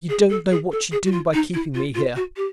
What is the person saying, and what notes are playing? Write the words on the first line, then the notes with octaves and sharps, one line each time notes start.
You don't know what you do by keeping me here.
G#4
A4
G#4
A4
G#4
F#4
F4
D#4
E4
F4
F4
F#4
G4